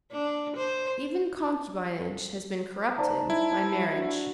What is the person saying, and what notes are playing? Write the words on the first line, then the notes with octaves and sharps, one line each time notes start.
Even concubinage has been corrupted--by marriage.
D4
C5
D#4 C5 D5 A5 A#5
E4
D4 F#4